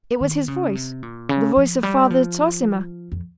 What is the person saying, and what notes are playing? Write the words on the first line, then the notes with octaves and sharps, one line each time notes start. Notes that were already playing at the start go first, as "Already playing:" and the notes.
It was his voice, the voice of Father Zossima.
D#3
C#3
C3
A#2
C#3
F3
G3
F3
F2